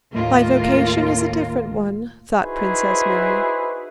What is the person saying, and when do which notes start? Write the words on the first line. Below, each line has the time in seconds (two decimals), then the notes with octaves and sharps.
"My vocation is a different one," thought Princess Mary.
0.13 D#2 A2 A#3 F4 A#4
2.41 D#4 E4 F#4 G#4 B4 C5